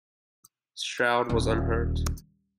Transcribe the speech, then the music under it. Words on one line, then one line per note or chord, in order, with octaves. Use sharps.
Stroud was unhurt.
D#1